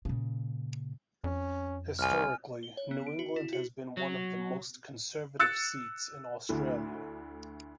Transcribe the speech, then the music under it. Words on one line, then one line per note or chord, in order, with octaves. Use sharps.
Historically, New England has been one of the most conservative seats in Australia.
A#2 C#3
F2 C#4
C2 G#5 F6
G7
C#5
B3
D7
F#4
E4
F#4
F#3
E6 F#6 A6 C#7
D2 D3 A3 E4